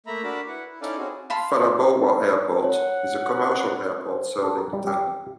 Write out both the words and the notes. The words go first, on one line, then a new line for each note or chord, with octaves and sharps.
Phalaborwa Airport is a commercial airport serving the town.
A3 A#3 E5 A#5 B5
D4 F#4 A#4 A5 B5
E4 B4 F#5
E4
C#4 D#4 E4 A4 D5 F5
C4 C#4 F#4 G#4
F5 A5 B5 C6
C#5 F#5
C5
A4
A#4
G3
G4